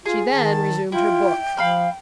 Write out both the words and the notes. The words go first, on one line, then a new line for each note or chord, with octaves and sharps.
She then resumed her book.
F4 G#4
D#3 A5
E4 F4 G5
F3 F5 B5 F6